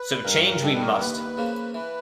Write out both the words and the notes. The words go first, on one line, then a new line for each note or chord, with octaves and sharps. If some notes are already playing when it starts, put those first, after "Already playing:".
So change we must!
Already playing: B4
G2 A#4
A#4
D#3 G3 A4
B4
A#4
D#2 B4
C#3 F3 A#3
E3 B4